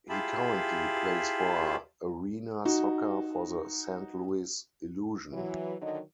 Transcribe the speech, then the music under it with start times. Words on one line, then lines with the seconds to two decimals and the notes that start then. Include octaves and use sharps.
He currently plays for arena soccer for the Saint Louis Illusion.
0.09 E4 F4 G4 G#4 A5 B5
2.65 D#4 F#4
5.33 E3 F#3
5.81 D3 D#3 F#3 D#4 D#5